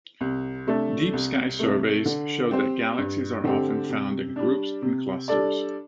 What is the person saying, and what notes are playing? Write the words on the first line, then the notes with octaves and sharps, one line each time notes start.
Deep sky surveys show that galaxies are often found in groups and clusters.
C2
C3 A3 D4 A4
C2
C3 A3
D3
C4 G4 C5
G2
D3 C4 G4
C3
G3 D4
C3
G3 D4 A4 D5